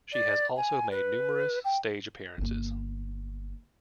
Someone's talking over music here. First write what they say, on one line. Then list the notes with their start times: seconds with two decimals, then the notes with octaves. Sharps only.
She has also made numerous stage appearances.
0.13 D5
0.56 G#5
0.91 B4
1.65 G5
2.38 G1 A#3